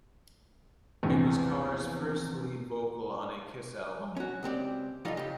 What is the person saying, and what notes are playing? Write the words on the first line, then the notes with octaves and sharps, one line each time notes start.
It was Carr's first lead vocal on a Kiss album.
A#1 E2 C3 C4
C#4 F#4
C#2 C4 G4 D5
A2 E3 G3 D#4 F4 F5
C#3 G4